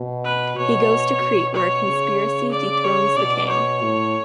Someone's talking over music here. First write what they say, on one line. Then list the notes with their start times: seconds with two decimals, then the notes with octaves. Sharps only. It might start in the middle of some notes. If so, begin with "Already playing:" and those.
He goes to Crete where a conspiracy dethrones the king.
Already playing: B2
0.24 B4
0.58 B2 C#5
1.22 B2
1.54 C#5
1.86 C#3
2.52 D5
2.84 C#5
3.16 B2 D5
3.49 C#5
3.81 A2